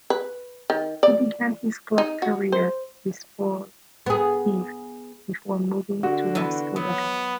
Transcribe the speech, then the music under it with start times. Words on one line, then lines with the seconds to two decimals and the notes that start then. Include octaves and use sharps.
He began his club career with Sport Recife before moving to Vasco da Gama.
0.10 B4
0.70 D#3
1.03 D5
1.98 D#4
2.22 F#4
2.52 C5
4.06 B3 G#4
6.03 D3 F#4
6.35 E3 B3
6.76 F#3 B3